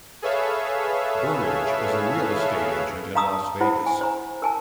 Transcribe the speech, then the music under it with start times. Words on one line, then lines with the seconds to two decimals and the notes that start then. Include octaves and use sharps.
Burridge is a real estate agent in Las Vegas.
0.22 G#4 A4 B4 C#5 E5 F5
3.15 F5 A5 A#5 D#6 E6
3.61 E4 C5 F#5 B5
3.86 G#5
4.01 C5 A#5
4.42 A#4 G#5 A5